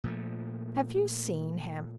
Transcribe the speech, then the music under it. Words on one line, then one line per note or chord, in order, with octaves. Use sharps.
Have you seen him?
A#2 F3 A3